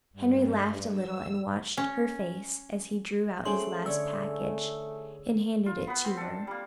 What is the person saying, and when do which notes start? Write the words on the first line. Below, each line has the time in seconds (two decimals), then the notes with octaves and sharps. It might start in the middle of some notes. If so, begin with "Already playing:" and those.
Henry laughed a little, and watched her face as he drew out his last package and handed it to her.
0.13 G2
0.90 E6
1.77 C#4
3.45 A3 C#4 G#4 C5 G5 C6 F#7
3.86 D3 C#5 E6
5.66 F4
5.87 B3 B4
6.04 C4
6.17 D4 A4
6.47 G3 A#3